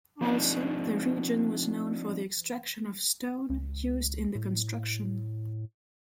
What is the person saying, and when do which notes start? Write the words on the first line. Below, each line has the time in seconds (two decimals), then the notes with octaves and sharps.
Also, the region was known for the extraction of stone used in the construction.
0.21 F3 C4 D4 D#4
3.50 C#2
4.35 A2